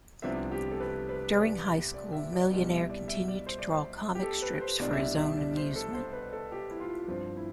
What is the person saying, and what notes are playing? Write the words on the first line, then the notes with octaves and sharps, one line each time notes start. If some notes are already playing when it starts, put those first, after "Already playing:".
During high school Millionaire continued to draw comic strips for his own amusement.
C2 C3 F3 B3 D4 E5
G4
A4
B4
B4
D5
D5
E5
D5
C2 B2 G3 D5
E5
D5
E5
D5
C5
D5
C5
G4
A4
B4
C5
C2 B2 G3 D4 D5
E5
D5
E5
D5
C5
A4
C5
B4
A4
G4
E4
F4
G2 F3 C4 F4
E4